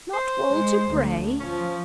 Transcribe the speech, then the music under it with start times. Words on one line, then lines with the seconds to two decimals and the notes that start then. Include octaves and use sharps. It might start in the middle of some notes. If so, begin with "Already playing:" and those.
'Not Walter Bray!
0.14 C5
0.51 G#3
0.89 D2
1.40 F3 C#4